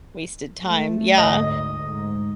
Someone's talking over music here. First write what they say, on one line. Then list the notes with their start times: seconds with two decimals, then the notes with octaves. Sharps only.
wasted time yeah
0.66 A3
1.18 D2 G#2 D#5
1.85 G#2